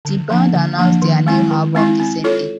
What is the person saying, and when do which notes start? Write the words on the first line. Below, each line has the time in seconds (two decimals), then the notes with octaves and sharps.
The band announced their new album the same day.
0.05 D3
0.30 F3 A#3 D4
0.53 D3
0.78 F3 A#3 D4
1.02 D#3
1.27 G#3 C4 E4
1.51 D#3
1.75 G#3 C4 E4
2.00 C4
2.24 F4 A4 C#5